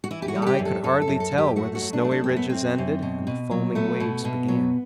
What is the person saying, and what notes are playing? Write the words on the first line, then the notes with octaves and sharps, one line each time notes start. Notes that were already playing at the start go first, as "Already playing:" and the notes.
The eye could hardly tell where the snowy ridges ended and the foaming waves began.
F#4
E3 E4
G4
F#4
G3
A4
G4
F#2
A4
F#2 A4
A4
F#2
A4
F#2
G4
A3 F#4
F#4
F#3
D4
A3
D4
C4
F#2
B3
F#2 C4
F#2
B2
B2
F#3
A3 B3
B2
B2
F#3